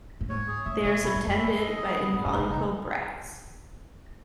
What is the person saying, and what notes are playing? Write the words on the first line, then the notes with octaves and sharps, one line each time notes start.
They are subtended by involucral bracts.
A2
G#2 C#5
G#4
A2 E5
B2 C#5
B2 E4
G#2
E4
F#2
A4
D#5
G#4
B3
G#2 B3
A2
D#4
B2
C#3 D#4